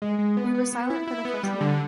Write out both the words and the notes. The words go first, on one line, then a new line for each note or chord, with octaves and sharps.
We were silent for the first minute.
G#3
G#3
B3
B3
B3
E4
E4
B3
G3
D3